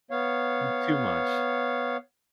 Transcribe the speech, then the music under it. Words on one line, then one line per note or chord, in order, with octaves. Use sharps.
N too much.
B3 C#5 F5